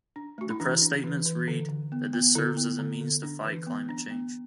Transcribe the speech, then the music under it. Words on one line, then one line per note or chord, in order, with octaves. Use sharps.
The press statements read, that this serves as a means to "fight climate change".
D4
A3 F#4
E4
E3 D4
D4
E3
E3
D3
D3
B3
B3
D3 E4
B3
D3
D3
D4
E3
B3
D4
B3